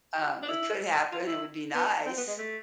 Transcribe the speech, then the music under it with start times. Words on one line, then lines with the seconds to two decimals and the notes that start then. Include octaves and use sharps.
Um, it could happen, it would be nice.
0.43 D4
0.49 E4
1.12 F4
1.27 E4
1.75 B3
2.06 C4
2.17 B3
2.28 G#3
2.38 A3